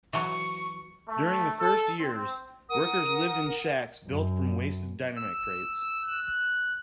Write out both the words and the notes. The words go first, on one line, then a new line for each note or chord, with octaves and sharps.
During the first years, workers lived in shacks built from wasted dynamite crates.
E3 F#3 C#6
A3
A4
C4
A#4 F#5 D#6
F#2
E6
F#6